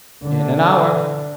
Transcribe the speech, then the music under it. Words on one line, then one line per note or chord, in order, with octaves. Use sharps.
"In an hour."
D3